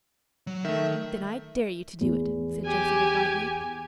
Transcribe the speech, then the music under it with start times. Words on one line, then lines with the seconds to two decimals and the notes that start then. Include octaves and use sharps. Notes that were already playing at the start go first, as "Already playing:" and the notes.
"Then I dare you to do it," said Josie defiantly.
0.47 F#3
0.65 D#3 A3 E5
2.01 E2
2.66 G4 G#5